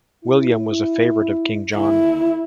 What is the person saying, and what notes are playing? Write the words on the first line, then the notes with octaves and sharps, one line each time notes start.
William was a favourite of King John.
E4
D#2 D3 E4